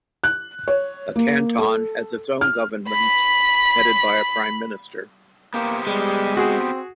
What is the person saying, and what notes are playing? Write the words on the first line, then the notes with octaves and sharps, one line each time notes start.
A canton has its own government headed by a prime minister.
F#6
C#5
A#3
A4
F6
B5 B6
A#3 B3 G4 C5
G3 G#3
C4 F#4 G#4